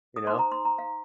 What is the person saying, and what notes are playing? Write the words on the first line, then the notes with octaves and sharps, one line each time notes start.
you know?
D#6
D#4 C5 C6
A#5
C6
A#5
F5